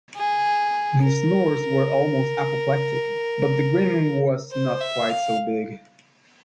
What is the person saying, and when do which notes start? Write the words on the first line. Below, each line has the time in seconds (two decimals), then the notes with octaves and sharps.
The snores were almost apoplectic; but the grin was not quite so big.
0.16 G#4
1.03 A#4
4.52 C5
4.81 E5
5.10 F5